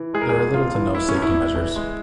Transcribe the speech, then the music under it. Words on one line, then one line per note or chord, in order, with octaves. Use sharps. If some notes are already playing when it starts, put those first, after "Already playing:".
There are little to no safety measures.
Already playing: E3
G#3 G#4
A#4
E2 G#4
E1 F4
E3
G#3 E4
C#4
E2
E4
E1
E3
G#3